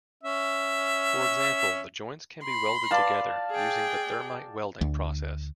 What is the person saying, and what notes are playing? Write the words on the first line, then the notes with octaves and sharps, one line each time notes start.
For example, the joints can be welded together using the thermite welding process.
C#4 E5
B5 C6
D5 F5 A5
G#4 G5
D2